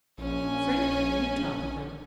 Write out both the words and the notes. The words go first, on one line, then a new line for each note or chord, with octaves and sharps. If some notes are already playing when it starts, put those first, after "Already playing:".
Frank, you talk with him.
A#1 C#4 G#5